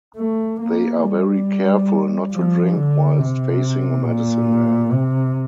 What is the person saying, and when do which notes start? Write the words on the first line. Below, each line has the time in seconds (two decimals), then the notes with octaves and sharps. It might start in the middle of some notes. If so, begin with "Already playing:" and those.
They are very careful not to drink whilst facing a medicine man.
0.17 A3
0.60 A#3
1.03 G3
2.32 F3
2.75 D3
3.19 C3
4.04 A#2
4.92 C3